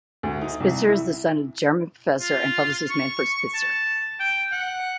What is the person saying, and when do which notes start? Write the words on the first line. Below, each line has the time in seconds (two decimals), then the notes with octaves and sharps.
Spitzer is the son of the German professor and publicist Manfred Spitzer.
0.23 D2
0.41 D#4
0.60 C2
0.88 E4
2.21 F4
2.90 C#6
3.54 A5
4.20 G5
4.52 F#5